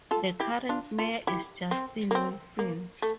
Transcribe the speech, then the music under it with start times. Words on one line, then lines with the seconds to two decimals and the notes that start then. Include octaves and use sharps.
The current mayor is Justin Wilson.
0.11 F4 A4
0.40 E4 G4
0.69 D4 F4
0.98 F4 A4
1.27 E4 G4
1.71 C4
2.11 A#3
2.15 C4
2.59 A#3
3.02 A3